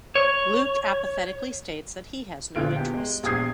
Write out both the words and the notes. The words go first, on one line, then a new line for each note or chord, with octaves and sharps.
Luke apathetically states that he has no interest.
C#5
A#1 D3 F4 D7
E2 G4
G#3
A#1 E2 G4 D#6 G#6 C7